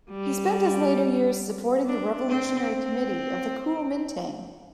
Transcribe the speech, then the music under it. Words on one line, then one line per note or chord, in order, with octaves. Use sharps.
He spent his later years supporting the Revolutionary Committee of the Kuomintang.
G3
D4
C4
C4